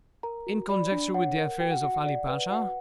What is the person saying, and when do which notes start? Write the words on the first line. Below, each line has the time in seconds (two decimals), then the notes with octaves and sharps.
"In conjunction with the affairs of Ali Pasha?"
0.23 A#4 A#5
0.47 F#4
0.69 D5 B5
0.92 D4
1.14 C#5 F#5
1.37 A#4
1.60 F#4 G5
1.71 F#5
1.83 F#4 F#5
1.94 F#5
2.06 D5
2.28 B4
2.51 F#4 F#5